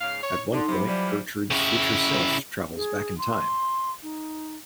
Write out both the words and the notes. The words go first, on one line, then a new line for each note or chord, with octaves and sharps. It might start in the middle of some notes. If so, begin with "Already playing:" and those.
At one point, Gertrude's future self travels back in time.
G#2 C#3 F5
C#5
D3 D#4 C6
C3 F#3 B5
E3 F3 G3
C#3 E4
G#4
C6
D#4